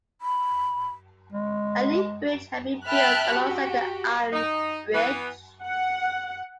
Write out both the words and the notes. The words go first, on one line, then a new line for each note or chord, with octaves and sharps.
A new bridge had been built alongside the iron bridge.
B5
G#3
E5 G5 A5 B5 F6 F#6
F#4 G4
D#4
E3 B3
F#5